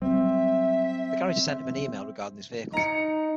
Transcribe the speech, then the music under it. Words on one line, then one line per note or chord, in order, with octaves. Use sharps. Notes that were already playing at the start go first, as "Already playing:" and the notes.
The garage sent him an email regarding his vehicle.
F#3 G3 C4 E5
D#4 A#5 C#7